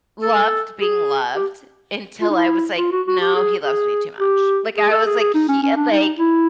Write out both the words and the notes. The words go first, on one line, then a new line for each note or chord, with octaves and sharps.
loved being loved until I was like, "No, he loves me too much." Like, I was like he, uh, like
A4
G#4
G4
F4
D#4
E4
F4
F#4
F#4
G4
G#4
G#4
G4
G#4
A4
G#4
G#4
D#4
C#4
C#4
D4
D#4
E4